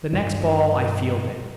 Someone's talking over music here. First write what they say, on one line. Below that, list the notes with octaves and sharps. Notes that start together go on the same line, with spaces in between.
The next ball I fielded.
G2 D3 F3